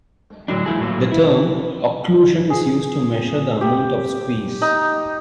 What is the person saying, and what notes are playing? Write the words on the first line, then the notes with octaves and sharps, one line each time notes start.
The term "occlusion" is used to measure the amount of squeeze.
A2 D3 F#3 D4
F3 A3 E4 G#4
A2 F#3 A3 A#3
E4
G#4
G4
D#4